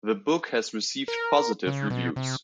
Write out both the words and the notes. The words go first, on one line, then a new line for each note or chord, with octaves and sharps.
The book has received positive reviews.
A#4
C#3
B2
C3